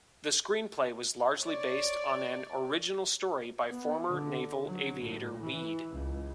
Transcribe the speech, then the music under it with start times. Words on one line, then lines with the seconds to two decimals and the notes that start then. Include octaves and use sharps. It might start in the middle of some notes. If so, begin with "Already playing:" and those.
The screenplay was largely based on an original story by former naval aviator Wead.
1.43 C#5 D5
3.69 B3
4.07 D3
4.63 F#3
5.02 A2
5.42 E3
5.92 C#2